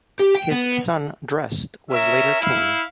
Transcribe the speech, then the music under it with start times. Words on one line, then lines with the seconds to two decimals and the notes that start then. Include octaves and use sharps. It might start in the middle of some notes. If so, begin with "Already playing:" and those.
His son Drest was later king.
0.19 G4
0.35 G5
0.51 B3
1.90 C#4 A#4 E5
2.40 E4 F5